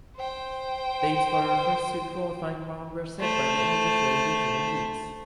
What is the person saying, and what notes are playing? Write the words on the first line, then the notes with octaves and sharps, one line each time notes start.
Dates for the first two qualifying round were set by the individual Regional leagues.
C5 G5
A3 C5